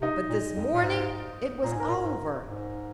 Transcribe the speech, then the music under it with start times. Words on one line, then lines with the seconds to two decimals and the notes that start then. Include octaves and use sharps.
But this morning it was over.
0.02 C3 D#4 D#5
0.29 A#2
0.56 F2
0.74 A#2
0.83 G#2
1.63 A#2 A#5
1.72 G#5
1.76 G#2 A#4 A#5
1.89 A#2
2.03 G#2
2.44 G#2